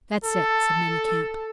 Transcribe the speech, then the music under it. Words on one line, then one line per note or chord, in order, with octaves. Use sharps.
"That's it," said Manicamp.
A4